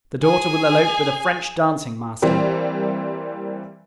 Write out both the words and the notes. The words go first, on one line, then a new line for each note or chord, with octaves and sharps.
The daughter will elope with a French dancing-master.
G#4 G#5
E3 G3 A#3 C4